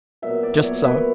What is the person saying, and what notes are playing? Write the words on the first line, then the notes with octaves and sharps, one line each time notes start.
"Just so."
A#2 F#3 B3 E5
D5
A#2 F#3 B3 C#5
B4